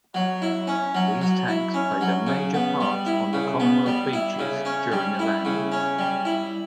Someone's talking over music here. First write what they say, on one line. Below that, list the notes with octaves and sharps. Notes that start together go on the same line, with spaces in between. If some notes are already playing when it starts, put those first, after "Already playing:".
These tanks played a major part on the Commonwealth beaches during the landings.
F#3
E4
C#4
F#3
F#3
E4
C#4
F#3
C#3
B3
G3
E4
C#3
B3
G3
E4
C#3
C#4
G3
E4
C#3
C#4
G3
E4